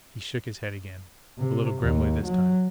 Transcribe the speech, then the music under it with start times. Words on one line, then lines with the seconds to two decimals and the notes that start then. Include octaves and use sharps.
He shook his head again--a little grimly this time.
1.38 C3
1.82 D#2
2.24 F#3